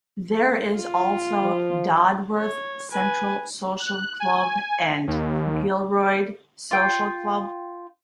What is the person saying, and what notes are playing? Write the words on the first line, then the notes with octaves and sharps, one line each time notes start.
There is also Dodworth Central Social Club and Gilroyd Social Club.
F4
F3
C#5
B4 G#5
F#6
G#5
D#2
F4 G5